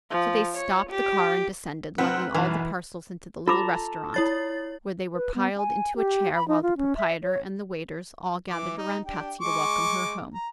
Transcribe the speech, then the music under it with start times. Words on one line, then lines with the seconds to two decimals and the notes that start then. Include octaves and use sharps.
So they stopped the car and descended, lugging all the parcels into the little restaurant, where they were piled into a chair while the proprietor and the waiters all gathered around Patsy to welcome her home.
0.11 F3
0.55 C#5
0.90 G4
1.98 F1 C4 B4 F#5
2.34 B1 F#2 E3
3.48 F4 A4 A5 A#5 D6
4.14 E4 C#5 A6
5.15 B4
5.35 B3
5.57 G#5
5.96 G4
6.35 B5
6.48 D#4
6.63 F4
6.77 C#4
6.97 E5
7.24 C#5
8.50 E3 D6
8.77 D#4
9.05 D4 G4 G5
9.41 G#3 C#6 D6
10.34 A#5